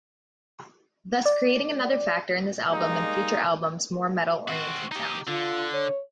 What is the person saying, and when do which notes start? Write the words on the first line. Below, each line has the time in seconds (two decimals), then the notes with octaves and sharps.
Thus creating another factor in this album and future albums' more metal-oriented sound.
1.26 D5
2.70 G3 G#3 A#3 D#4
4.48 C4 F#4
4.92 D#4 G4
5.28 D3 F4
5.73 C#5